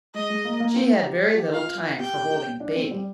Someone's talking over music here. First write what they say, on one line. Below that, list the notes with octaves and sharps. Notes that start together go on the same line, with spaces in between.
She had very little time for holding a baby.
G#3 D#5
G#3
A#3
A#3
C4
D#4
G4
G#4
F4
G4
F4 F5
G4 G5
G4
G4
D4
C4
G3